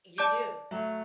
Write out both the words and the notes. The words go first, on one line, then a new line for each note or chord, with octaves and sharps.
You do.
D5 A5 D6 G6
F#3 A3